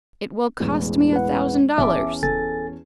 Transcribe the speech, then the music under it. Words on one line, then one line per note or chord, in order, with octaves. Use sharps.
It will cost me a thousand dollars.
E1 A1 E2
B4 F#5
D1 E2 C#4 E5 A5 D6
F#1 A4 G#5 A6